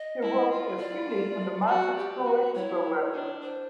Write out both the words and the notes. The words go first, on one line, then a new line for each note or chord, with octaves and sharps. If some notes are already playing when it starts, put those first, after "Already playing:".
He worked as team lead on the Mars Exploration Program.
Already playing: D#5
E4
F4
D5
F#4
G4
F#4
E4 C#5
D4
C5